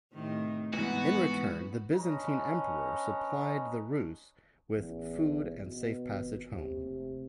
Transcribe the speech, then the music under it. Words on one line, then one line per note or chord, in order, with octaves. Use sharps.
In return, the Byzantine emperor supplied the Rus' with food and safe passage home.
A2 C3 D#3
G#2 E3 F3 B3 F#4
C#4 D4 B4 D#5 A#5
A1 E2
B2
G#1
D#2 C3
F1